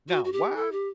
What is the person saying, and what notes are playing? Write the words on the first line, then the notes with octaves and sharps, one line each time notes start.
Now, why
F#4
F#4
G4
A4
G4